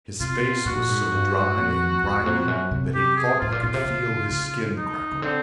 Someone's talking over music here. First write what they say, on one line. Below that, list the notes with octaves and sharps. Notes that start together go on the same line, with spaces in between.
His face was so dry and grimy that he thought he could feel his skin crackle.
C3 F4
B2
A#2 F#4
G#2
G2
F2
E2
F2
F#2
C3
G4
G#4
A2 F4
A#2
B2 F4
C3
C#3
C#3
D#4
C#3
D3 C4